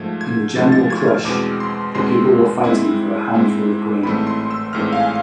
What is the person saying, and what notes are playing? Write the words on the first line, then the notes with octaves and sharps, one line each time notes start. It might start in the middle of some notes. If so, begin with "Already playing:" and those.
In the general crush the people were fighting for a handful of grain.
Already playing: G#2 F3 A3 G#6
G#6
G#2 F3 A3 A6
A6
G#6
F6
E2 B2 G#3 C4 D6
C6
E2 B2 G#3 C4 C6
G#2 G#3 C4 E4
G#2 G#3 C4 E4
A1 G#2 E3 A3 C4 B5
C6
E6
A1 G#2 E3 A3 C4 F6
F5
G#5